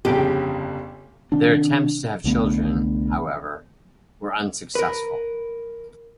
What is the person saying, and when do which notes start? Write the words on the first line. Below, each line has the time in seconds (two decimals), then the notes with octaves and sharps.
Their attempts to have children, however, were unsuccessful.
0.05 G1 F2 C#3 G4
1.32 C3 D#3 C4 D4
2.24 C2 D3 A3 B3
4.75 A#4 B4